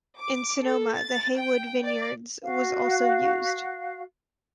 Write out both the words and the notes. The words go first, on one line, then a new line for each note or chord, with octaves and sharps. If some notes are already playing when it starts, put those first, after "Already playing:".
In Sonoma, the Haywood Vineyards was also used.
D6
A4
A6
G5
D5
F#4 F5